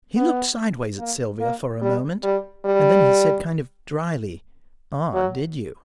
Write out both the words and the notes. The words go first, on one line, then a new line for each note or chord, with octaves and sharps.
He looked sideways at Sylvia for a moment and then he said kind of drily, "Ah, did you?"
B3
A#3
A#3
G3
G3
G3
F#3